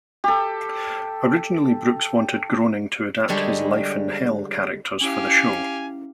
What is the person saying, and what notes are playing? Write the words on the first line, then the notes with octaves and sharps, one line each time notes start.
Originally, Brooks wanted Groening to adapt his "Life in Hell" characters for the show.
G4 A4
D3 G3 G#3 D4 C#5
C#4 E4 G4 F5 G#5